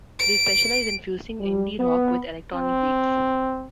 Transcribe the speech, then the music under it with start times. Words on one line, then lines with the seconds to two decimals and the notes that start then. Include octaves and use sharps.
They specialize in fusing indie rock with electronic beats.
0.19 D7
1.39 G3
1.79 B3
2.54 C4